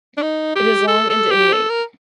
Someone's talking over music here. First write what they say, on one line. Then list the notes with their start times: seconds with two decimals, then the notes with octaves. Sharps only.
It is long and in weight.
0.17 D4
0.22 D#4
0.55 G4
0.88 A4
1.10 A4
1.31 G4
1.53 A4
1.70 A#4